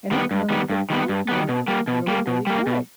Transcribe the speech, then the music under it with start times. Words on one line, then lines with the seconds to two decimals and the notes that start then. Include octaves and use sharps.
and that really surprised me, and it was really, really good.
0.11 D#3 G3 B3
0.31 G2
0.50 D#3 G3 B3
0.70 G2
0.90 D#3 G3 B3
1.09 G2
1.29 D#3 G3 B3
1.49 B2
1.68 G3 A#3
1.88 B2
2.07 G3 A#3
2.27 B2
2.47 G3 A#3
2.67 B2